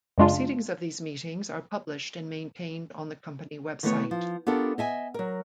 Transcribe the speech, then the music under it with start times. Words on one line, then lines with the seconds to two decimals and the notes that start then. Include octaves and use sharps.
Proceedings of these meetings are published and maintained on the Company web site.
0.18 F#2 C#3 G#3 D4 F4
3.83 D#3 E3 A3 B3 B4 C#5
4.11 F3
4.47 B3 D4 F4 G4 A4 A#4
4.78 D#5 E5 G#5
5.14 F#3 A#4